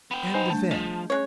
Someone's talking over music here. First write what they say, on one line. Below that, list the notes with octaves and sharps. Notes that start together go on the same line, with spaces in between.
"And then?"
B3 G5
D#4 C5 G#5 G6
G3 A3 D4 A5
F3 G#3
G#3 C#4 C#5 F#6